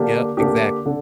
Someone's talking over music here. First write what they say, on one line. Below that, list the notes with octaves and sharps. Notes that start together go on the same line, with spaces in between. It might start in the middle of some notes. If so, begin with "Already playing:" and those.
yep, exactly.
Already playing: D3 A#3 D4 G4
D3 A#3 D4 G4
D3